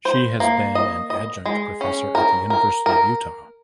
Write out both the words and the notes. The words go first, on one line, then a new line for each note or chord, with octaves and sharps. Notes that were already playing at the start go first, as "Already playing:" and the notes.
She has been an adjunct professor at the University of Utah.
C5
A#3
D#5
D#5
G#3
C#4
A#4
A#4
A#4